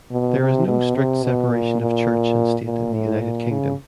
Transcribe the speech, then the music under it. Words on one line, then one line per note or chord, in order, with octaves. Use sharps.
There is no strict separation of church and state in the United Kingdom.
B2
C3
B2
C3
B2
A#2
A#2
A#2
A2
A#2
C#3